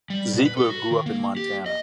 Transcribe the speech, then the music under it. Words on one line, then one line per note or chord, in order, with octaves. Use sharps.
Ziegler grew up in Montana.
G3
B2
B4
A4
F#4
D#3
A#3
G4
D#5